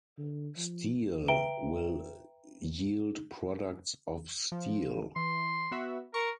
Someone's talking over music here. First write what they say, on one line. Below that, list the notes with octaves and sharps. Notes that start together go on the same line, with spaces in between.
Steel will yield products of steel.
D3
F3
B4 E5 G5 A#5 D7 G7
F3
E3 C6
B3 F#4 E5
A#4 C#6